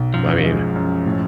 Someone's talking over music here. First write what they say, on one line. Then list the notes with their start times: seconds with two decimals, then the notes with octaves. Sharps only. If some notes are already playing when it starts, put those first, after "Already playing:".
I mean,
Already playing: B1
0.14 F#2 F3
0.44 G#3
0.75 F#2
1.06 A2